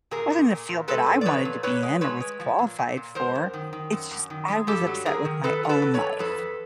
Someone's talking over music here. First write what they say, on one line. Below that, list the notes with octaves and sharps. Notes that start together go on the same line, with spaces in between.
wasn't in a field that I wanted to be in or was qualified for. It's just I was upset with my own life.
A#2 G#4 A#4
A#2
A#2
A#2
G#3 A4 B4
A#2
D5
F3 B4 C#5
A#2
A#2 B4 C#5
G#3
G#3 B4 C#5
G#3
F3
A#2
A#2
A#2
G#3 A#4 C5
F#2
D#3
D#3
F#2
F#2
D#3
G#3
G2 G4 A4
F#3
F#3 G#4 A#4
D#3
D#3 A4 B4
F#3 A#4
A4 B4
F#3
B4 C#5
G2
F2 A4 B4
F2